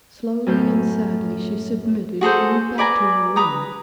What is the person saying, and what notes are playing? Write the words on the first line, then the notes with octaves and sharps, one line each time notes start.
Slowly and sadly she submitted, and went back to her room.
F#2 A2 G6
F#4 G#4 A4 C5
B4 D5 G#5 A#5
B4 A#5 D#6